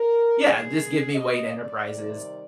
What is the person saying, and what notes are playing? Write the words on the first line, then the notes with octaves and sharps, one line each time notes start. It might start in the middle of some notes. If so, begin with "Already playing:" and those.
Yeah. Just give me Wayne Enterprises,
Already playing: A#4
G2 D#3 G#3 G#4
D#5
D5
C3 D#3 G3 C4